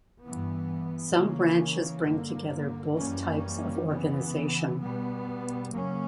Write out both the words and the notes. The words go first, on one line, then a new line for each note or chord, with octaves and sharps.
Some branches bring together both types of organisation.
G2 E3 B3
C#3 E3 A#3 C#4
G2 D3 A#3
F#2 E3 G3 A#3 C#4
C#3 E3 B3
B2 G3 B3
C#3 F#3 A#3 C#4